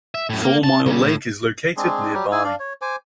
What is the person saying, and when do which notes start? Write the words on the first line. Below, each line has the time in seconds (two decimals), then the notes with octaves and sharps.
Four Mile Lake is located nearby.
0.15 E5
0.30 F#2 A2
0.42 A#3
0.64 A5
0.86 C#3 G3
1.02 A2
1.77 G#3 C4 D4 G#4
2.13 F#3 G3 G4
2.32 E4 G#4 G#5 E6
2.44 D4 D5 F5
2.60 C#5
2.82 C5 G#5 D6